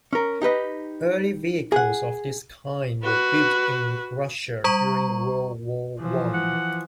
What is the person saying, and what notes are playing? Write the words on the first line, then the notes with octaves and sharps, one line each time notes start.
Early vehicles of this kind were built in Russia during World War I.
C#4 A#4
D#4 G4 B4 D#5
G#4 F#5
F#4 B4
G3 A#5 C#6
E3 F3
F#5